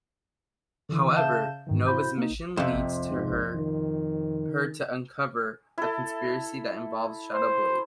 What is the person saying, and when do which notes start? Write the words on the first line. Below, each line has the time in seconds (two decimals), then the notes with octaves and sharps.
However, Nova's mission leads her to uncover a conspiracy that involves Shadow Blade.
0.89 D3 E3
1.15 C#3 E5 F5 A5 G6 E7
1.67 G#2 D#3 E3
1.86 E4 F#4 C5 B5 G6
2.17 A#3 D#4
2.57 F2 C3
3.11 G#2
3.55 D#3
5.78 E4 A4
7.34 C5